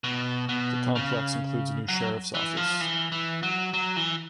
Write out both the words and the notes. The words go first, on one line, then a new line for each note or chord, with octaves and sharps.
The complex includes a new sheriff's office.
B2
B2
C#3
F#3
E3
F3
E3
E3
F#3
F#3
E3